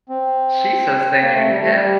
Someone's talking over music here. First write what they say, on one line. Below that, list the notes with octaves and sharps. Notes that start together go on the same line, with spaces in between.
she says "Thank you" to him,
C4
A#3
A3
G3
A3
G3